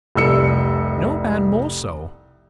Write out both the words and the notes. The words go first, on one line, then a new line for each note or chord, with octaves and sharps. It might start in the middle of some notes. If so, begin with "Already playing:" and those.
"No man more so."
F1 C2 E6 C#7